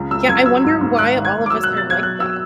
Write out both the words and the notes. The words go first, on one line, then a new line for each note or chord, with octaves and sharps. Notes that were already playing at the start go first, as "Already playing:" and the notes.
Yeah, I wonder why all of us are like that.
Already playing: C#2 C#3
C#2 E6
C#2 G#6
F#3 E6
G#2
G#2
G#1 F#6
G#1
G#6
G#1
D6
F#3 E6
F#6
B2
A6
F#3 G#6
F#3 F#6
F#3 E6